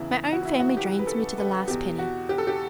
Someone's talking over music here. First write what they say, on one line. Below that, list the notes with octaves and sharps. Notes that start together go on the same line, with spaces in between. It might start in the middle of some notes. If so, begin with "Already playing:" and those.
My own family drains me to the last penny.
Already playing: E2 C#3 E3 E4
F#4
E4
F#4
G4
B4
A4
B4
E2 B2 G4
F#4
G4
A4
G4